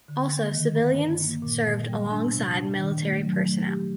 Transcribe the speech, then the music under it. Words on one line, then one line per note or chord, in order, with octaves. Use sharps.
Also, civilians served alongside military personnel.
D3
A#3
D#3
G2
G2
A#3
A#2
A#2
G3
D4
C3
D4
D#3
A3
F#3
A3
G4